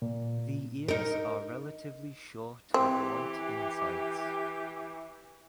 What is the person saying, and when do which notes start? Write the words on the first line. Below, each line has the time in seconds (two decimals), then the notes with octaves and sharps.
The ears are relatively short with white insides.
0.02 A#2
0.88 D#4 A#4
2.74 E3 C4 G4